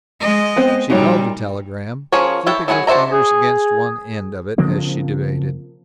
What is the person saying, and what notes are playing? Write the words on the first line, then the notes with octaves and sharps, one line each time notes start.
She held the telegram, flipping her fingers against one end of it as she debated.
G#3 D#5
B3 C4 C5
A#2 G3 D#4 F#4 C#5
F3 C#4 G#4 A#4 C#5
E4 A4 C#5 G5
F#3 E4 G#4 F#5 G#5
D4 F#4 C5 E5 A#5
G#4
C#3 F3 A#3 C4